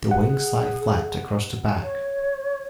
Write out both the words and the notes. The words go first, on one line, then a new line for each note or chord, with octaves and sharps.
The wings lie flat across the back.
G#4 F#5
C#5